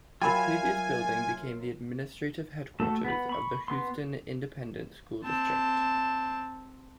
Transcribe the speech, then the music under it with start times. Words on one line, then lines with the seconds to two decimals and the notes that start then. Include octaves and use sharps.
The previous building became the administrative headquarters of the Houston Independent School District.
0.22 F#3 F4 A#4 E5 F5 G5 G#5 B5
2.80 A3 F#4 A4 A5
3.04 B3 B5
3.29 B5 C#6
3.68 B3 C6
5.24 C4 A5